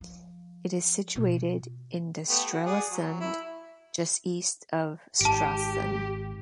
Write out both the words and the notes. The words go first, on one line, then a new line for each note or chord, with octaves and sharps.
It is situated in the Strelasund just east of Stralsund.
F3
B2 F4
A3 B3 G4
F#4
G#4 D5 F#5
F#3
E4
G#1 G#2 G4 A5 D7